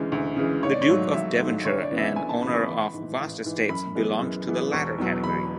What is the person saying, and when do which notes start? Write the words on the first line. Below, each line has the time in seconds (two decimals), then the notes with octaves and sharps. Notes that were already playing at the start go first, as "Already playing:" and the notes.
The Duke of Devonshire, an owner of vast estates, belonged to the latter category.
Already playing: D2 C#3 E3 G#3
0.12 D2
0.36 C#3 E3 G#3
0.63 G#1 C#5
0.72 D5
0.82 C#5
0.89 G#2 F#3 A3
1.13 G#1 E5
1.39 G#2 F#3 A3
1.65 D2 C#5
1.82 D5
1.91 C#3 E3 B3
1.99 E5
2.16 D2 G#5
2.29 A5
2.42 C#3 E3 B3 B5
2.54 C#6
2.68 A1 B5
2.93 G#2 E3
3.19 A1
3.44 G#2 E3
3.69 F#2 B5
3.95 E3 G#3 B3
4.21 F#2
4.47 E3 G#3 B3
4.73 E1 C#6
4.98 E2 B2 F#3
5.23 E1 B5